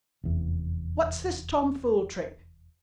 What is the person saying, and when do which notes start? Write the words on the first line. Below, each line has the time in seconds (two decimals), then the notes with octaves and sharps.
What's this tomfool trick?
0.24 F1 E2